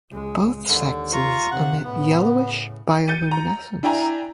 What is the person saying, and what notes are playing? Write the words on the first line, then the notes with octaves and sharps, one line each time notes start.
Both sexes emit yellowish bioluminescence.
C#2 G#3
D#2 D3
F4 A#5 C#6
C3 D#3 F#5
A2 C#3 B3
G6 A6 C#7 D#7
A#5
D4 E4 G5 G#5 A#5